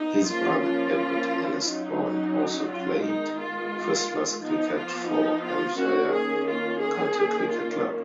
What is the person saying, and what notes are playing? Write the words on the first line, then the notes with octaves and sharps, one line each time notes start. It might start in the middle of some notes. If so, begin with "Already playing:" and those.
His brother, Edward Ernest Bowen also played first-class cricket for Hampshire County Cricket Club.
Already playing: B3 D#4
F3 A#3 C#4 F4
F4
F#3 C#4 D#4
F4
D#3 G#3 B3 D#4
F4
F3 B3 D#4
F4
D#4
F4
D#3 A#3 C#4 F#4
G#4
F4
G#4
D#3 A#3 C#4
F4